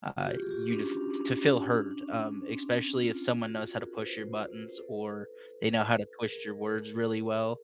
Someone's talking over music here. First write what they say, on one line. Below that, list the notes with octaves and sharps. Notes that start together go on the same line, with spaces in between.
uh, you to f to feel heard, um, especially if someone knows how to push your buttons or they know how to twist your words really well.
F#4
F4 G4
G#4
F4 G4
D4
C#4
C#4
D4
C#4
D4
C#4
D4
C#4
D4
C#4
D4
C#4
D4
C#4
C#4
C4
C#4
C4
F4
F4
F#4
F4
G#4 A#4
B4
A#4 C5
C5
A4 B4
G#4 A#4